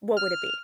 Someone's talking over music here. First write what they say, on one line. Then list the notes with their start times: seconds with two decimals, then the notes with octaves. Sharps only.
what would it be?
0.17 F6